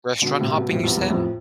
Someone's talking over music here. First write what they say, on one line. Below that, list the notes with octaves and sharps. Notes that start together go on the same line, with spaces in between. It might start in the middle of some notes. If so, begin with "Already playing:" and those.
Restaurant hopping, you said?
B2 D3
A2 C3
G2 B2
F2 A2
E2 G2
E2 G2
F2 A2